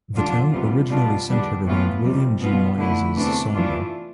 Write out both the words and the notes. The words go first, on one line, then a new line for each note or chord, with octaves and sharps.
The town originally centered around William G. Miles's Sawmill.
F2 D3 G3 D4 F4
E2 C3 G3 B3 F4
B2 G3 D4 F4
E2 D3 G3 D4
A2 E3 B3 F4
F2 C3 G3
B2 G3 B3 F4
D3 A3 E4
E2 C3 E3 A3 D4
E3 A3 D4 F4